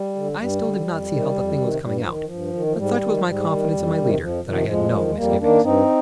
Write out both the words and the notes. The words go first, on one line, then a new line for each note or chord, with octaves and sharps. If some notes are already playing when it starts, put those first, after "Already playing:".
I still did not see how the thing was coming out, but such was my confidence in my leader that I had no misgivings.
Already playing: G3
D3
G2 G3
D3
F2
C3 D#3
F2
C3 D#3
G2 G3
F3
D#3
F3
G2
D#3
F3
G#2 G3
D#3
G#2 G3
D#3
F2
C3 D#3
F2 F3
C3 D#3 F3
F2 F3 G#3
D#3
G#3
F2 G3 A#3
D#3 A#3 D4
G2 C4 D#4